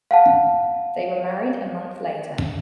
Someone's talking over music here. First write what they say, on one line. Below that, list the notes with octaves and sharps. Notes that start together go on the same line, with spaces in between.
They were married a month later.
F5 F#5 A5